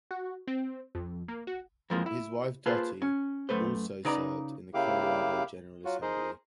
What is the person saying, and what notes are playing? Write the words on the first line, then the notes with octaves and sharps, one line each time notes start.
His wife Dottie also served in the Colorado General Assembly.
F#4
C4
F2
A#3
F#4
F2 E3 F3 G#3 A#3
E4
A#3 F4 G#4 A4 B4 C5
C#4
F#2 A3 B4 C5
C#3 D#4 B4 D5 A#5
C#3 A#3 E4 G4 F5 D6
F#3 F4 F#4
D#4 G#4 A#4 C5 D#5